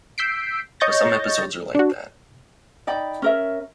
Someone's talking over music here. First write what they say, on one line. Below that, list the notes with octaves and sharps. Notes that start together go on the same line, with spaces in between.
But some episodes are like that.
E6 G6 B6 C7 D7
C#5 D#5 C#6 G6 A6 A#6
D4 F#4
D#4 D5 G5 B5
C#4 A#4 E5